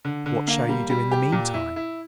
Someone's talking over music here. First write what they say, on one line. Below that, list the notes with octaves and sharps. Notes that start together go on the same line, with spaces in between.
'What shall you do in the meantime?'
D3
D3
A#3
G3
G3
G4
A#2
E4
E4